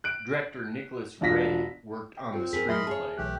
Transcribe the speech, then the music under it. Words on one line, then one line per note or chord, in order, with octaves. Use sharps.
Director Nicholas Ray worked on the screenplay.
F#6 D7
E1 D4 F4 A#6 B6
G5
C4 F4 A4
F2 G#4 A#4 B6
F#3 D#5 E5 B5 C6 F6
C#3 G#4 C#5 A5
B1 E3 A3 G4 F#6